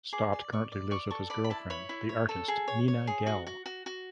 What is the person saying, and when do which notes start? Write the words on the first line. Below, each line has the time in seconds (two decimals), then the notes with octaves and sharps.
Stott currently lives with his girlfriend, the artist Nina Gehl.
0.13 G#4 D6
0.33 D5
0.52 D5 C#6
0.72 D5
0.91 D5 C#6
1.11 A4 C#6
1.30 D5 B5
1.44 B5
1.50 E4 A5
1.70 C#5 B5
1.89 E4
2.09 C#5
2.29 A4
2.48 G#4
2.68 C#5
2.88 C#5
3.07 G#4
3.26 F#4
3.47 F#4
3.66 F#4
3.86 F#4